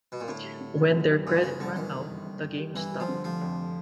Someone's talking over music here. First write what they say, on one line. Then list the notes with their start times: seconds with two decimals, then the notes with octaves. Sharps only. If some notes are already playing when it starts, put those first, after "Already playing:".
When their credit ran out, the game stopped.
0.12 B2
0.20 A#2
0.28 A2 D3
0.44 G3
0.61 D3
0.77 F#1
0.93 F#2
1.10 G3
1.27 G1 A#2
1.44 G1 C#3
1.60 G2 D3
1.76 D#3 E3
1.93 G2
2.09 G1
2.26 G2
2.42 G2
2.59 G3
2.75 G2 E3
2.91 G3
3.00 F3
3.09 D3
3.24 F1 F3
3.42 F2